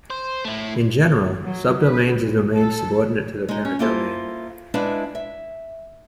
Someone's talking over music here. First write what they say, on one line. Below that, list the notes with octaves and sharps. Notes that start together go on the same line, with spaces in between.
In general, subdomains are domains subordinate to their parent domain.
C5
A3 E4
F#3
B4
G#3
A4
G#3 D#4
C#4
A#3 E4 F4 A4 C5
G#3 D4 E4 B4 E5 F5
E5